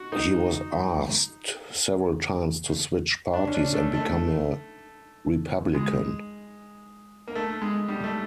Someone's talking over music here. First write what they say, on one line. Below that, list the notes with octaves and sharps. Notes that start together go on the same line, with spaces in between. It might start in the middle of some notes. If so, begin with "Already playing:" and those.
He was asked several times to switch parties and become a Republican.
Already playing: F#4
D#4
D4
C#4
D4
A3
A3
G#3
A#3
A3
G#3
G3
A3